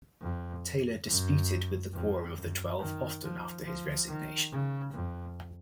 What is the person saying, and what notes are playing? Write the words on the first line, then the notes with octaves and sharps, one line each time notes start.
Taylor disputed with the Quorum of the Twelve often after his resignation.
F2
F#2
F2
F#2
D#3
F3
F3
D#3
C#3
F2